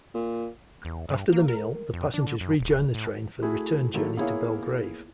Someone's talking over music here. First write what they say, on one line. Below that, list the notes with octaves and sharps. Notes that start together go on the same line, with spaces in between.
After the meal, the passengers rejoin the train for the return journey to Belgrave.
A#2
E2
G2
A#3
A#4
F2
D4
D3
F#2
D1
A2
A3 E4 F#4 G#4
D#3 F#3 A#3 E4 A4
A#3 B3 E4 G#4 C#5 F5